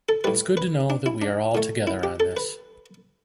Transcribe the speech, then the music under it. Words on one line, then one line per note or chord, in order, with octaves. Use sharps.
It’s good to know that we are all together on this.
A4
A2 G3 B4
B4
D4
E4
D4
A2 A3
E4
G4
A4
B4